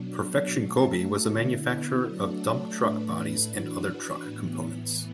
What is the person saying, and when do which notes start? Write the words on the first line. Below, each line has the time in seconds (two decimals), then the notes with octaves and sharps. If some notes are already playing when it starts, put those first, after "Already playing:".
Perfection Cobey was a manufacturer of dump truck bodies and other truck components.
Already playing: B2 F#3 D4
0.58 A3 F#4 A4
1.31 D3 B3 E4
2.05 F#3 A3 D4 F#4 A4
2.78 A2 A3 D4 B4
3.52 E3 D4 F#4 B4
4.24 A2 E3 B3